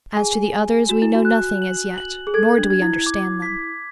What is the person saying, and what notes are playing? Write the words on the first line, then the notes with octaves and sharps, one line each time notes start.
As to the others we know nothing as yet, nor do we understand them.
G#4 G#5
G#5
F#4 E7
E4
F#4
F#6
F#7
F#7
G#4
A4 G#6
D4
G#6
E4
D6
B6